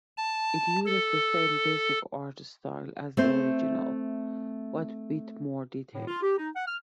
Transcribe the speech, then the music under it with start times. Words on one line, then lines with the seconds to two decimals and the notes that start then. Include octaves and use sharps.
It uses the same basic art style as the original, but with more detail.
0.17 A5
0.86 A4
3.17 A3 C4 C5
5.94 A2
6.07 F4
6.21 G4
6.38 D#4
6.55 F#5
6.67 F6